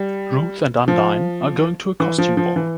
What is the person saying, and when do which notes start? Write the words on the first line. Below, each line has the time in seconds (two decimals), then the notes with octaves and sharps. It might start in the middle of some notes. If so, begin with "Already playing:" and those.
Ruth and Undine are going to a costume ball.
Already playing: G3
0.88 F3
2.00 E3
2.18 F3
2.37 F3
2.56 E3